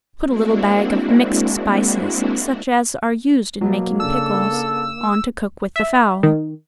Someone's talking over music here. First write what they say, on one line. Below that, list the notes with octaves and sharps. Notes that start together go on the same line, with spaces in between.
Put a little bag of "mixed spices," such as are used in making pickles, on to cook with the fowl.
G#3 A#3 C4 D4 E4 F#4
B2 F#3 A#3
C#3 D4 A4 E6
E5
D#3